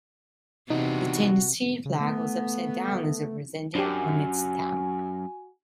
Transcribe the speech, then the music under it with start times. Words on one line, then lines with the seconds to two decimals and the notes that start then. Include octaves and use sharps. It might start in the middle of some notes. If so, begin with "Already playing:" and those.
The Tennessee flag was upside down as represented on its stamp.
0.70 C3 E3 B3 D4 D#4 F#4
1.85 C#3
2.00 A3 B3
3.75 F#2 D4 F#4 G4 G#5